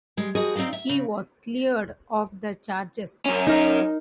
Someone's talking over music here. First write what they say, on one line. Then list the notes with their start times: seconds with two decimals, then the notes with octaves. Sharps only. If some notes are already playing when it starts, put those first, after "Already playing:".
He was cleared of the charges.
0.17 G3 G#3
0.35 F3 G3 F#4 G#4 D#5
0.56 C4 D#4 D5 D#5 F5
0.73 E5
0.89 C#3
3.26 F#2 C#4
3.47 D#4 A#4